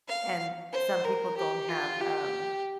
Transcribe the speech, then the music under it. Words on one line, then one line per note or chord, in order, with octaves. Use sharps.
and some people don't have, um
F5
C5
A#4
G4
F4
G4